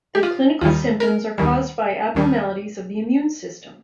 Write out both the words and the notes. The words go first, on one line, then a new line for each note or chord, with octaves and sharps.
The clinical symptoms are caused by abnormalities of the immune system.
G4
F4
D#2 D#3 G3 F4
A#4
D#2 D#3 G3
D#2 D#3 G3